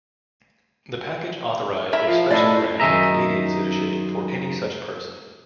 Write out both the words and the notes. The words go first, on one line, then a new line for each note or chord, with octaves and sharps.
The package authorized a special grant of Canadian citizenship for any such person.
E4 A#4 E5
F3
A2 D5 D#5
F#2 D#3 D#4 G#4 E5 A#5